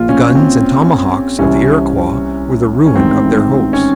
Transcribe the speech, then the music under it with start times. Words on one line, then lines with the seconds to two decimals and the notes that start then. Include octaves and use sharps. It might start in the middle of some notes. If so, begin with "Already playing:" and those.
The guns and tomahawks of the Iroquois were the ruin of their hopes.
Already playing: A#1 A#2 F4
0.09 C#4
0.35 C4
1.39 C2 C3 E3 C#4
2.86 C#4
2.95 A1 G#2 D#3 C4
3.73 C#4